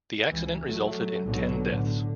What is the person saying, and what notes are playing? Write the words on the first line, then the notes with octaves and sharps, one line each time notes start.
The accident resulted in ten deaths.
C#2 E3
F#3 A3
B1 G#2 B2 D3 F#3
A2 D3